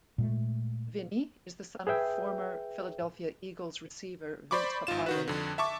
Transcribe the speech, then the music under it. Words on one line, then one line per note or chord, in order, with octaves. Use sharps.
Vinny is the son of former Philadelphia Eagles receiver Vince Papale.
A#2 G#3 A3
G#4 B4 E5 G5
C5 D5 B5 C#6 D6
G#1 D#4 F4 E7
D#3 F#4 B4
F2 D3
E5 A5 C#6 D6